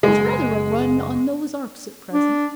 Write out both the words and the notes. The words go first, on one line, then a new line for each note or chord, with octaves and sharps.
There's rather a run on Noah's Arks at present.
F#1 B2 G#3
D4